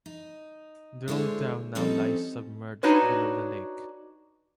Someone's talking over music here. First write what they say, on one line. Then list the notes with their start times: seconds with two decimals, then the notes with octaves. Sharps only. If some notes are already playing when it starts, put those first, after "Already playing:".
The old town now lies submerged below the lake.
0.06 D#4
1.08 D3 G#3 E4 C5 C#5
1.75 F3 G3 C4 C#4 D#4 A4
2.83 D4 D#4 F#4 B4 C#5